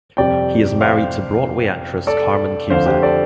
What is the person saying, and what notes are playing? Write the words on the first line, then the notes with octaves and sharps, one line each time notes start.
He is married to Broadway actress Carmen Cusack.
F2 C3 G3 D5 G5
C5 F5
A4 D5
F2 D3 F3 C5 F5
G4 C5
A4 D5